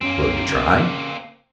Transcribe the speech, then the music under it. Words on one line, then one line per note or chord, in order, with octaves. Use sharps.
"Will you try?"
F#2 A#3 C4 C#4
C#3 A#4